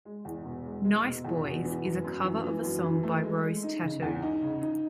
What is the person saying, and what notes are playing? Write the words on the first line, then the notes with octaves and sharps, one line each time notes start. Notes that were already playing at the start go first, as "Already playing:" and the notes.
"Nice Boys" is a cover of a song by Rose Tattoo.
G#3
E2
E1
G#3
G#3
E1
E2
B2
E3
F#2
F#2
E3
E3
F#2
E3
A3
G#3
G#3
D#4
C#3
E2
D#4
C#3
D#4